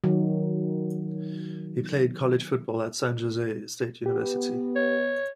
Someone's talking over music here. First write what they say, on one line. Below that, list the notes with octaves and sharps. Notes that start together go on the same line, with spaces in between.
He played college football at San Jose State University.
D#3 F#3
B3 G4
C#5